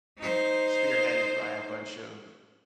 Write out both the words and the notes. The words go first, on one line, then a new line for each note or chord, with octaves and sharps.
spearheaded by a bunch of
D#4 C5